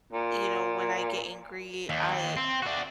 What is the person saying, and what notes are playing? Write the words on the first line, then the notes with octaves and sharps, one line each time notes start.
you know, when I get angry, I
A#2
D#2
C4
D4 F#4